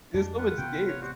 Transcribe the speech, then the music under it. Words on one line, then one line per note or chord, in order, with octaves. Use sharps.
There's so much games.
F2 G#3 D4
F4 B4 F#5
A1 C3 B3 G5
C#5
G3 F#4 C5 F#5